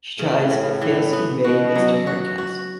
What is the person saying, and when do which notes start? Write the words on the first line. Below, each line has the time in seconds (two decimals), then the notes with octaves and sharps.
She tries but fails to convey this to Hardcastle.
0.19 A2 C#3
0.51 C#3
0.81 E3
1.13 B3
1.44 B2 F#4
1.76 F#3
2.07 F#4
2.38 F#4